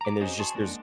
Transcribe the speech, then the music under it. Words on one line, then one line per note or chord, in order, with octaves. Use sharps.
And there's just there's
A#5 D6
C#4 F#4 G#4 C5 D#5
G#4 A5 C6 C#6
G#3 A#3 D4 D5 F#5